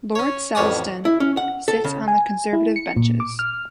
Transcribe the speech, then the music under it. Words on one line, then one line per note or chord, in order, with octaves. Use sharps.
Lord Selsdon sits on the Conservative benches.
C#4 C#5
A1 F2 C#5 D5 D#6
E4
C#4
F#5
A4
C#3
G#5
E4
C#7
A#2
D6
F6